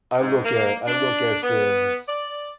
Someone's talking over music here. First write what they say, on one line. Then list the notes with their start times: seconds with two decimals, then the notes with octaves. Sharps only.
I look at I look at things
0.21 G#2
0.44 A#3
0.87 D4
1.43 B3
2.08 D5